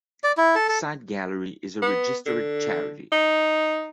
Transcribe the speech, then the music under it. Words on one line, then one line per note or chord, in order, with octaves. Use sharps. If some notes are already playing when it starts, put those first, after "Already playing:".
Site Gallery is a registered charity.
D5
E4
A4
A4
B3
D3
D#4